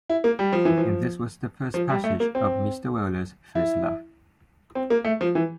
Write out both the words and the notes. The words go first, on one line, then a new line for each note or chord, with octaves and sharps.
And this was the first passage of Mr. Weller’s first love.
E4
A#3
G3
F3
E3
F3
F3
G3
A3
A#3
C4
E4
C4
A#3
A3
F3
E3